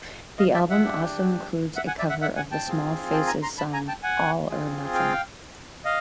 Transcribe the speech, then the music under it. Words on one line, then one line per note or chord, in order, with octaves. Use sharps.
The album also includes a cover of the Small Faces song "All or Nothing".
D#5 F5
D5 E5
E5 F#5
D4 G4
E5 F#5
F#5 G#5
D5 E5
E5 F#5
E5 F#5
F#5 G#5
G5 A5
C4 F4 G#4
G5 A5
G#5 A#5
A#5 C6
A5 B5
G#5 A#5
G5 A5
F#5 G#5
C4 F4 G#4
F5 G5
D#5 F5